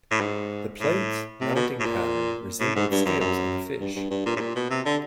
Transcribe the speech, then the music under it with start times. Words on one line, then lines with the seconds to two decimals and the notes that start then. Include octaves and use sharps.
The plates mounting pattern resembled scales on a fish.
0.11 A2
0.21 G#2
0.81 A2
1.41 C3
1.55 B2
1.80 A2
1.85 A#2
2.60 A2
2.75 G#2
2.91 G2
3.06 F#2
3.20 F#2
3.80 G2
3.96 G2
4.11 G2
4.26 A#2
4.36 A2
4.40 A#2
4.56 B2
4.70 C3
4.86 D3